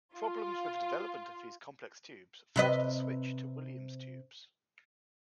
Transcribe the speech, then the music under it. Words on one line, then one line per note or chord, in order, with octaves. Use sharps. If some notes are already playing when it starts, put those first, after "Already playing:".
Problems with the development of these complex tubes forced the switch to Williams tubes.
F4
C3 B4 D#5